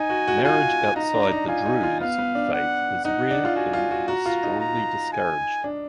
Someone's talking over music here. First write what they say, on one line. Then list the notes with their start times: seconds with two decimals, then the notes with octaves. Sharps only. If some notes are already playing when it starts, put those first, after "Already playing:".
Marriage outside the Druze faith is rare and is strongly discouraged.
Already playing: D#4 G#5
0.09 F#4
0.28 F#4
0.44 F4 G#5
0.96 D#4 A#5
1.14 D4
1.32 D#4
1.48 F4 G#5
1.66 D#4
1.83 F4
2.01 B3 F5
2.18 B3
2.35 D4
2.53 F#5
3.05 D#4 F#5
3.31 D4
3.45 F4
3.56 F#4 G#5
3.73 F4
3.91 F#4
4.08 F#4 A#5
4.26 F4
4.43 D#4
4.61 A#5
5.13 G#5
5.64 D4